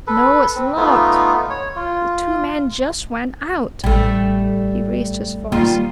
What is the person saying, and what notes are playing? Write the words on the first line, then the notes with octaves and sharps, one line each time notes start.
"No, it's locked--the two men just went out." He raised his voice.
A4 B4
C4
A3 B3 D#4 F4
C#5
F4
A1 G3 A3
D#3 G3 A#3 F4